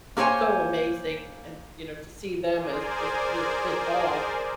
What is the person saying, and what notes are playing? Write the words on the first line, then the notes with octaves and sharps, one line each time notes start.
so amazing, and, you know, to see them as just you're in awe.
A#3 A4 C5 C#5 G#5
G#4 A#4 C5 D5 G#5